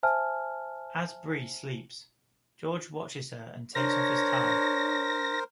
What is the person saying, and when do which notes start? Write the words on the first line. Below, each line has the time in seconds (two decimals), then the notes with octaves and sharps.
As Bree sleeps, George watches her and takes off his tie.
0.03 C5 E5 G#5 A5 F6
3.75 D4 A#4 C5 C#5 A#6